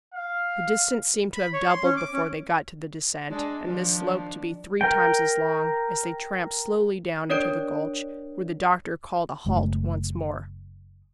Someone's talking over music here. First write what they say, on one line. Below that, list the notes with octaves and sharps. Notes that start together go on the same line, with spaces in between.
The distance seemed to have doubled before they got to the descent, and this slope to be three times as long, as they tramped slowly down into the gulch, where the doctor called a halt once more.
F5
B5
C#5
C6
C#4
D6
C#4
G#3 D4
D#3 F3 D4
A#4 G5
D4 A#4 C#5 D5 D7
F#1 G#3 A3